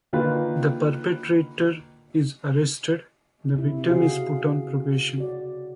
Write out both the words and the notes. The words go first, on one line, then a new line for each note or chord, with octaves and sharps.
The perpetrator is arrested; the victim is put on probation.
D3 D#3 A#3 F4 B4
C3 E4
C#3 F#4 G#4 F5
F#4 D5